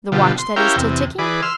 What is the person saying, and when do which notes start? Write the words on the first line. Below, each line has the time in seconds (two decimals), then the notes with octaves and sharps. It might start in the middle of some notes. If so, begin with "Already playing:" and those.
"The watch that is still ticking?"
0.12 B2 D3 F3 G3
0.38 C6
0.56 C#4 E4 G4 A#4 F5 G5
0.76 E2 C3
1.18 E3 G#4 B4 D5
1.42 C6 E6 F6